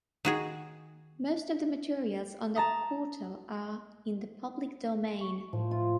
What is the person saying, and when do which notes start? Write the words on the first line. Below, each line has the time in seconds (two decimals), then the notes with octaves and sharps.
Most of the materials on the portal are in the public domain.
0.25 D#3 F#4 G#4
2.56 A5 A#5 D#6
5.21 C#6
5.53 A2 F3
5.71 F4